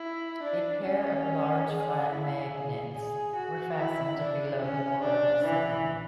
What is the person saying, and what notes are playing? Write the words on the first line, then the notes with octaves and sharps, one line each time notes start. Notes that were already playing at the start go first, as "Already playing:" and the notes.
A pair of large flat magnets were fastened below the coil assembly.
Already playing: E4
D4
C#4
G#4
E4
G#4
G#4
F#4
E4
D4
C#4
D4
E3